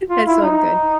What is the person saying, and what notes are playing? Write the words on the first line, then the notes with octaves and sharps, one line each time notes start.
that's all good.
F4
E4
D#4